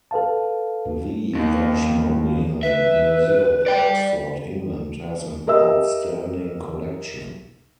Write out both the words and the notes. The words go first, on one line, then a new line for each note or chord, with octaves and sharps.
The Ashmolean Museum in Oxford, England, has an outstanding collection.
A4 B4 F5 A5
D#2 D#3
B4 E5
D5 G5
G4 A#4 D#5 E5 E6